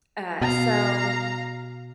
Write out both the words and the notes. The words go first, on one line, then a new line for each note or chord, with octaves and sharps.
Uh, so,
B2 F5 A#5